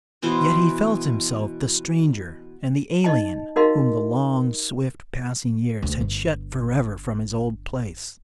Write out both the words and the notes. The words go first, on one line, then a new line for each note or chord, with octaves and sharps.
Yet he felt himself the stranger and the alien, whom the long, swift-passing years had shut forever from his old place.
B2 E3 B3 C5
D#4 D#5 A5
D#4 F#4 A#4 D#5 F5 C6
D2
G1